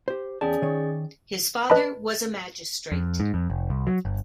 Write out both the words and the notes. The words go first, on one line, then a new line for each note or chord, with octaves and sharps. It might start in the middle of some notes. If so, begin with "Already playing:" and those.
His father was a magistrate.
G4 C5
E2 C#4 G#4 D5 G5 A5
D#3 C#5
B4 D#5 A5 B5
F2
G#2
F2
F1
C2
F#3
G1